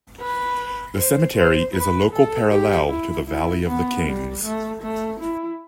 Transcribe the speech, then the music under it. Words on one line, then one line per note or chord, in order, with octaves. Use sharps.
The cemetery is a local parallel to the Valley of the Kings.
B4
C5
C5
B4
A4
G4
E4
E4
B3
G3
A3
A3
E4